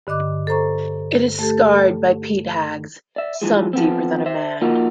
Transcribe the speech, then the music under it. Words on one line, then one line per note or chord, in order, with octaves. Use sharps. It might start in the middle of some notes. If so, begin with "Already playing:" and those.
It is scarred by peat hags, some deeper than a man.
G2 D3 D#5 D6 F#6
A4 C5 A#5 C#6
A3 G4 A4
D5 E5
G#2 E3 F3 G#3
F3 B3 C4
C5 E5
F3 A#3 D#4 F4 F#4